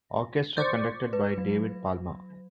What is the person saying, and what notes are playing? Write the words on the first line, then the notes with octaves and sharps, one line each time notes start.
Orchestra conducted by David Palmer.
C5 D5 C#6
B4
F#3